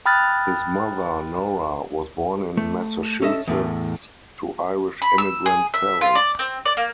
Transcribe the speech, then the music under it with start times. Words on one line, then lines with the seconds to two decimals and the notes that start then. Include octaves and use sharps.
His mother, Nora, was born in Massachusetts to Irish immigrant parents.
0.06 G5 B5 D#6 F6 F#6 A6
2.57 A3
3.22 C#4 A4 D#5 E5
3.47 E2 A2 A3
5.02 B5
5.18 E6
5.46 G#4
5.74 E5
6.01 F4
6.15 D5
6.39 C4
6.66 D5
6.77 A#3